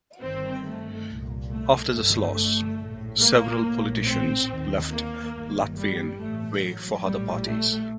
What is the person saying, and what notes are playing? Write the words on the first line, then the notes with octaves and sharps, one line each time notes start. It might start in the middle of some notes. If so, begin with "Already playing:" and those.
After this loss, several politicians left Latvian Way for other parties.
G1 G2 D#3 C4
A3
C2 A#2
A3
G1 G2 D3 A3
A3
A#1 A2
A#3
A#1 A2
C4
D#2 D#3
A#3
G1 G2 D#3
G3
A1 A2 A3
F#3
A#1 A2 G3
A3